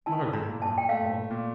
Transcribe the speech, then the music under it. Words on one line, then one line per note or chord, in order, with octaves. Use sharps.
"Margaret!" her aunt called.
E4 A5
A#5
A#2
A5
G5
A3 F5
A#2